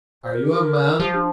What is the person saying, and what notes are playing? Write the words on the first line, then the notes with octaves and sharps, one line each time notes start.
Are you a man?
C5
A#4
G4
A#4
A#4
F3 G4
D4